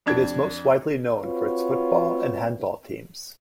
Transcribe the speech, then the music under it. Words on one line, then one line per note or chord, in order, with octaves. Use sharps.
It is most widely known for its football and handball teams.
F2 D4 G#6
C4 F4 F#4 B4 C#5